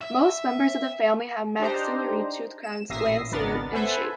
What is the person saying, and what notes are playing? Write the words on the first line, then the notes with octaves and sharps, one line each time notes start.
Most members of the family have maxillary tooth crowns lanceolate in shape.
E5
D4 D#4 G4 C5 A#5
E7
A1 A#2 E5 D#6 A#6 C7
G#1 C#2 B3 D4 A#4 A6
A4 B4 C5 E5 F#5 G#5